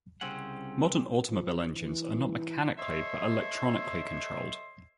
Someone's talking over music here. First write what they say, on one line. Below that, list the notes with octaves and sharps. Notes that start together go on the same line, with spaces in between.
Modern automobile engines are not mechanically but electronically controlled.
C2 C#3 C4 C#4 F#5
F3
E3
A4 C5 C#5 D#5 E5